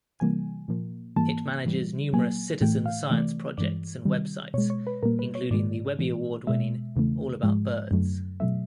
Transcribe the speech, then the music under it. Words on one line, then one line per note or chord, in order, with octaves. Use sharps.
It manages numerous citizen-science projects and websites, including the Webby Award-winning "All About Birds".
C3 E3 G3 A#3 G#5
A#2 F3 A#3
G#2 E3 G3 A#3 A5
G#2 E3 G3
A#2 F#3 A#3 G#5
A2 E3 A3 G5
F5
C3 E3 A3 D5
G2 E3 G#3 D5
C3 D#3 G3
B2 G#3 C#5
C#5
B4
A#2 G3 A#3 A#4
B4
C#5
G#2 D#3 G#3 D5
A2 E3 G#3
B2 G#3 E5
E2 C#3 E3 A3
G#2 F3 G#3
F#2 D3 F#3 A3
B2 F#3 A3 E5